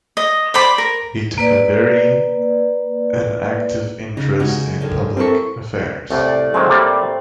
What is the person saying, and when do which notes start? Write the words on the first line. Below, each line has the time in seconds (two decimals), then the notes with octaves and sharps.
He took a very an active interest in public affairs.
0.17 D#5
0.54 C5 D5 B5 D6
0.78 A#4
1.38 A#3 B4 D5
4.17 C#3 D#4
4.40 G#3 D#4 F#4
4.81 F#2 D3 D#3
5.17 A#3 C4 E4 A4 A#4 C#6
6.10 C2 A2 D5
6.54 D#3 F#3 G#3 C4
6.68 G3 A#3 A4